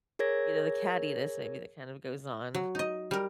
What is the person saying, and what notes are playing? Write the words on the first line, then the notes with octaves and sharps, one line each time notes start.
you know, the cattiness, maybe, that kind of goes on.
G#4 A#4 C#5 G#6 A#6
F#3
D#4 D#5
G3 A#4